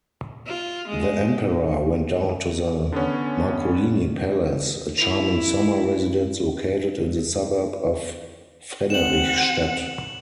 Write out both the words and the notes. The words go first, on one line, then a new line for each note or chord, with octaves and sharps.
The Emperor went down to the Marcolini Palace, a charming summer residence located in the suburb of Frederichstadt.
F4
G#3
D3 B3 C#4
E4 F7
C4 F#5 E7 F#7